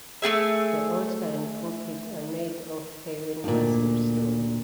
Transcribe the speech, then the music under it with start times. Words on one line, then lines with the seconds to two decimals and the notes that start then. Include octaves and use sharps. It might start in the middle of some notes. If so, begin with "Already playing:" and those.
The altar and pulpit are made of hewn massive stone.
0.22 A3 F4 G#4 E5
3.44 D2 A#2